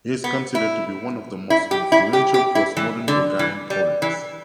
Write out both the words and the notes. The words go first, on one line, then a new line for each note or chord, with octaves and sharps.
He is considered to be one of the most influential postmodern Bulgarian poets.
B3
E4
E4
G4
E4
G4
G4
E4
E3
D3
E3
G3
E3